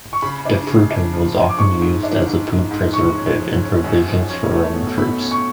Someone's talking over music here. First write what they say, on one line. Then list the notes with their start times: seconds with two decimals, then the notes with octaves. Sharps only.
Defrutum was often used as a food preservative in provisions for Roman troops.
0.13 C#6
0.22 C#3 B5
0.45 D4
0.67 C#3
0.91 D4
1.13 F3
1.36 F3
1.49 D6
1.57 G#2 C#6
1.81 G#2
2.03 D4
2.26 G#2
2.48 G#2
2.71 G#2
2.94 F3 C#6
3.16 C#4
3.39 F3
3.61 C#4
3.84 F#2
4.07 F3
4.29 C#4
4.51 A3
4.74 B2
4.97 B2 B5
5.19 C#4
5.31 C#6